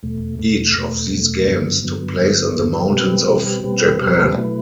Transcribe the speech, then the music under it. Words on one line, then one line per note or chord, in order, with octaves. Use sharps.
Each of these games took place in the mountains of Japan.
E2 B2 A3
E2 B2 A3
E2 B2 A3
E2 B2 A3
G2 D3 F#3 B3
G2 D3 F#3 B3
G2 D3 F#3 B3
G2 D3 F#3 B3
B2 G3 C4 G4 B4
B2 G3 C4 G4 B4
B2 G3 C4 G4 B4
B2 G3 C4 G4 B4
B2 F#3 A3 E4 B4